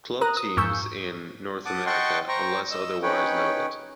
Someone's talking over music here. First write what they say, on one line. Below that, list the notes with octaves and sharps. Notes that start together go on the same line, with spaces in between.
Club teams in North America unless otherwise noted.
A#4 A#5 D#6 F#6
D#6
F2 G#2 C#6 E6 G6
F#5 A5 D6 D#6
D#5 F#5 G5 A5 C6 C#6
C5 G5 A#5 C#6
D#5 E6
C#4 D#4 B4 C#5 G5